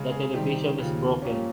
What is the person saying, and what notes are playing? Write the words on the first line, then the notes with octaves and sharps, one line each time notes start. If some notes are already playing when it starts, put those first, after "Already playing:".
The television is broken.
Already playing: C#3 G#3
G#4
C3 D#3 G3 C4 G4
D#2 C#3 F3
A#2 F3 A#3 C#4 G4